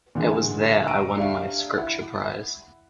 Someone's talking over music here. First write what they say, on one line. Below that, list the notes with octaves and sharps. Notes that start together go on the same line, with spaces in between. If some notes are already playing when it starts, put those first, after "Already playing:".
It was there I won my Scripture prize.
A#2 D3 E3 G#3
A#5 C#6 E6 D7 D#7
D4 G4 E5 F5
E4 F#5